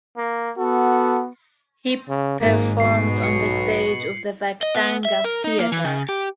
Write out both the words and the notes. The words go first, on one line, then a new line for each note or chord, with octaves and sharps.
He performed on the stage of the Vakhtangov Theatre.
A#3
B3 F#4 A4
C#3
G#1 G#2 A#3
B2 C7
B1 C#7
F#7
D#5
B3
E5
A#4
D#4
A#3
E3
C#3
G4